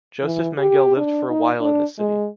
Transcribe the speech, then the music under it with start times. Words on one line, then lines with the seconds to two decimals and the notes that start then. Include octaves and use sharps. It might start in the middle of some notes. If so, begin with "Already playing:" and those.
Josef Mengele lived for a while in this city.
0.23 E3
0.58 G4
0.96 D4
1.30 D#4
1.61 D4
1.98 G#3